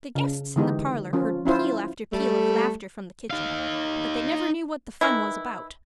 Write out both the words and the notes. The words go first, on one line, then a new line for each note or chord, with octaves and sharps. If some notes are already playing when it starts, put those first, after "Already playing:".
The guests in the parlor heard peal after peal of laughter from the kitchen, but they never knew what the fun was about.
C#3
D3 E3 G#3 D#4 G4
F3 C#4 F4
C#4 E4 F4 C5
G3 A3
D#4 F5
D#3 E3 E4